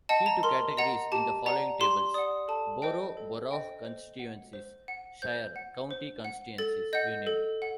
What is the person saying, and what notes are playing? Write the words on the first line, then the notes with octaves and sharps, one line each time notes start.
"Key to categories in the following tables:" Boro': Borough constituencies, Shire: County constituencies, Univ.
D#5 F#5 A5
A#5
A#4 C6
D#5 F#5 A#5
G4 A5
D5 F#5 A#5
G4 C6
D5 F#5 D#6
A4 A5
C5 D#5 G5
A4
C5 D#5 G5
C5
F#5
C5
F#5
C5 G6
F#5
C5
F#5
A4 A6
D#5 F#5 G6
A4
F#5